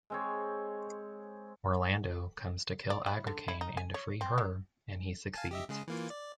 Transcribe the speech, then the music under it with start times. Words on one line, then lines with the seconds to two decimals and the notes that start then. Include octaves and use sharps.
Orlando comes to kill Agricane and to free her, and he succeeds.
0.10 G#3 C4 C#5
2.90 D5
3.06 E4
3.27 D3
3.48 E4
3.61 D#4
3.77 G#5
3.94 C#5
4.21 C4
4.38 F#3
5.34 F5 G#5 A5
5.51 G4 D#5 E5
5.69 C#3 G#3 G#4
5.88 E3 A#3 F4
6.10 D5